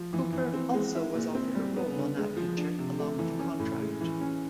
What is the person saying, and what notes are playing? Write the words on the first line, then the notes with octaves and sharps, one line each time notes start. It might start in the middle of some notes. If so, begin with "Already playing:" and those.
Cooper also was offered a role on that feature along with a contract.
Already playing: F3
E3
E3
C4
G#3
E4
A#2
C4
G3
B3
D3
G#3
F3
D4
C3
A3
E3
C#4
A2
G#3
E3
C#4